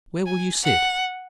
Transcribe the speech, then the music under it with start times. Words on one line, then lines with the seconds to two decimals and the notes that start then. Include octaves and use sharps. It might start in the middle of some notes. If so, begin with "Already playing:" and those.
Where will you sit?
0.26 G#5
0.64 F#5